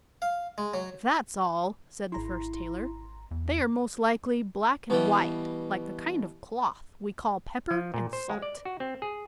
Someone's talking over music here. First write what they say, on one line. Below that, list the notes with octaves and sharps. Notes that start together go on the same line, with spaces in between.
'If that's all,' said the first tailor, 'they are most likely black and white, like the kind of cloth we call pepper-and-salt.'
F5
G#3
F#3
G#1 E4 A#5 C6
E2
B2 E3 G3
F3
A#2
C5
G#3
D5
F#4
C4
G#4